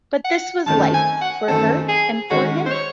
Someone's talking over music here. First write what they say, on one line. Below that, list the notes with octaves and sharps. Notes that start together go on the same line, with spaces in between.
But this was life for her and for him.
F#5
F#2 D#3 A3 C4 A5
G#5
F#5
F#2 D#3 A3 C4 A4
G#4
D#3 G#3 C#4 F#4
C5
C#5